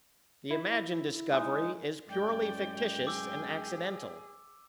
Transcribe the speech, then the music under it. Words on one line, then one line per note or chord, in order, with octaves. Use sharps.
The imagined discovery is purely fictitious and accidental.
E4
G#3 D#4
F#2 A2 G#3 D5 G5
G#4 D6 E6